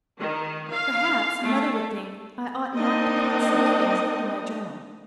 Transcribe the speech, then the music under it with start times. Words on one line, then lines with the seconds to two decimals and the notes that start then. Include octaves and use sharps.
Perhaps mother would think I ought not to put such things into my journal.
0.18 D#3
0.70 F5
1.43 A3
2.76 A#3 C4 D4 D#4 D#5